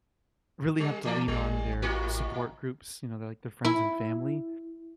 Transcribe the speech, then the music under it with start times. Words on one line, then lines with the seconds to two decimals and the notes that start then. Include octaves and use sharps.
really have to lean on their support groups, you know, their, like, their friends and family.
0.80 G3
1.05 E3 A3 D5
1.28 A1 G3
1.82 G#2 A#3 F#4
3.65 E4